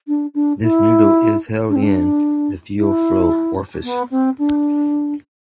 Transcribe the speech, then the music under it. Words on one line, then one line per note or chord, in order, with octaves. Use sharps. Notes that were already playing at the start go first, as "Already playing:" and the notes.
This needle is held in the fuel flow orifice.
D4
D4
E4
D4
C4
D4
E4
B3
C4
D4